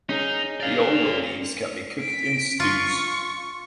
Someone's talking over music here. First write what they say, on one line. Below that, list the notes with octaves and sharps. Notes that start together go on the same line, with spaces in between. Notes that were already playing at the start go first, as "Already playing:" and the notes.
The older leaves can be cooked in stews.
C#4 D#4 G#4 A#4
D5 F5
B6 D7
F4 C#6